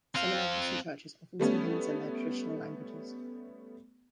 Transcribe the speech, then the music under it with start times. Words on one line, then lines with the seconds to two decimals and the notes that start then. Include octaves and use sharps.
Seminole Christian churches often sing hymns in their traditional languages.
0.15 C4 F5
1.40 G3 A3 B3 C#4